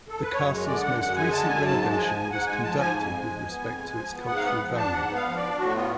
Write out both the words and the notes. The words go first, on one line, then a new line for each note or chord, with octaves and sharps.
The castle's most recent renovation was conducted with respect to its cultural value.
A4
B4
F#2 C#5
G#3
D3 D5
F#2 F#5
F#2 F#5
G#3 G#5
D3 A5
F#2 G#5
G#2 A5
G#3
A5
F3 G#5
G#2
G#2 F#5
G#3 G#5
F3 A5
G#2 G#5
F2
G#3
F3
B3
F2
G#3
F3
B3
G#2 F#5
F5
B3 F#5
F3
D4 A5
G#2 F#5
B3
F5
F3
D5
D4
A2 F#4
B3 F4